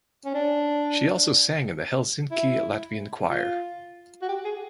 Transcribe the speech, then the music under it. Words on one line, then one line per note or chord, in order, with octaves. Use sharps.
She also sang in the Helsinki Latvian Choir.
C#4
D4
E4
F4
F#4
G4
G#4